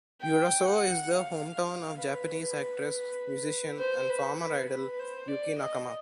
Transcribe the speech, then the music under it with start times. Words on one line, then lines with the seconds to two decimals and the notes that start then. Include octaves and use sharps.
Urasoe is the hometown of Japanese actress, musician and former idol Yukie Nakama.
0.21 G5
0.66 F#5
1.11 F5
2.00 B4
3.79 C5
4.09 B4
4.40 B4
4.69 B4
4.99 C5
5.29 D5
5.59 D#5